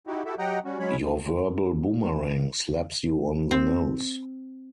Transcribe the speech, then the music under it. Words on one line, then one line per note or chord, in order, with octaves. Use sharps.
Your verbal boomerang slaps you on the nose.
D#4 E4 F#4 G4
E4 F#4 G4 A4 E5
F#3 G4 D#5 F#5 G5 A#5
G3 C#4 F#4
F#3 G#3 C#4 C#5 B5
C4